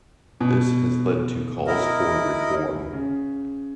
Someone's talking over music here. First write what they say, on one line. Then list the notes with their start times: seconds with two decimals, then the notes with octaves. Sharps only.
This has led to calls for reform.
0.41 B2
1.66 E4 A#4 D#5
2.93 C#3